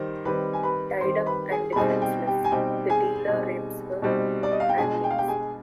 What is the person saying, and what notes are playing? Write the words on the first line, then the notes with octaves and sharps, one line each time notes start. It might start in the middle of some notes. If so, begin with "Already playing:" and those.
Tied up and defenseless, the dealer rapes her and leaves.
Already playing: D#3 G3 C5
D#3 G3 C4 B4 B5
G#5
B4 B5
D#3 G3 C4 C5 C6
B4 B5
G#4 G#5
B5
B2 G3 C4 D#4 G#4 G#5
G4 G5
G4 G5
G#5
B2 G3 C4 D#4 G4 G5
G#4 G#5
B2 G3 C4 D#4
B2 G3 C4 D#4
D5
D#5
F5
G5
B2 G#3 D4 G#4 G#5
G5
F5
G4 G5
G#4 G#5